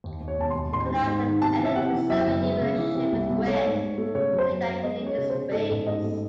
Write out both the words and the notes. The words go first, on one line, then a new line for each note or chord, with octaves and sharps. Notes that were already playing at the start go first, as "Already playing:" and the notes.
Kanal then ended his seven-year relationship with Gwen, saying that he needed "space".
D#2
D#2
C#5
E1 A5
C6
D#2
A1 C6
G#2
G#2
D#3
C3 A5
E3
E5
C3 F#5
E3
F#2 E5
F#1
G#3
C#3
E3
C3
C2
C2
A3 C#5
G#2
G#2
A3
C#3 C#5
F#2
C5
F#2
C5
F#2
G#3 D#5
C#4
C#5
C#3
C#3 C5
G#2 A4
A1
G#2 D#5
A3